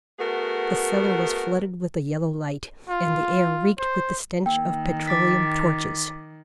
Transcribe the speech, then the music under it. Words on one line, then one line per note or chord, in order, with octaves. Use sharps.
The cellar was flooded with a yellow light, and the air reeked with the stench of petroleum torches.
A3 B3 F#4 G#4 A#4
F4
C5
D#3 A#3 G5
D6 A6 B6